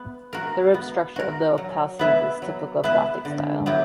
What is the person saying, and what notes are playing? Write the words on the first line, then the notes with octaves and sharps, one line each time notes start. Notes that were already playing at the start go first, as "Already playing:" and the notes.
The ribbed structure of the apses is typical of Gothic style.
Already playing: B3
F#4 A#4
B3
F#4 A#4
F#3
B3 E4 B4 E5
F#3
B3 E4 B4 E5
D3
F#3 B3 E4 G4